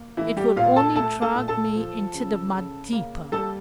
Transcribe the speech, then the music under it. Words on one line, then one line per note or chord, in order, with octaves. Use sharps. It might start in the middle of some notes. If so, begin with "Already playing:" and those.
It would only drag me into the mud deeper.
Already playing: A#3
E3 A3 E4
G3 G4
A#2 F4 F5
A4 A5
A3 A4 A5
A4 A5
A#2
A4 A5
F3
C#3
C#3
A#3
G3 A4 A5